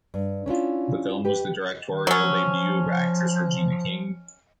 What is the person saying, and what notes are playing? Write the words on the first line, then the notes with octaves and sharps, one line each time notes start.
The film was the directorial debut of actress Regina King.
G2
C#4 D4 E4 F4
G4 B4
D#3
F3 F#3 C#4